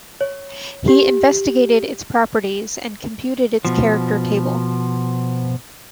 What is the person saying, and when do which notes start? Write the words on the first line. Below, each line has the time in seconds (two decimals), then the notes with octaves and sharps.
He investigated its properties and computed its character table.
0.21 C#5
0.88 G4
3.65 B2 F3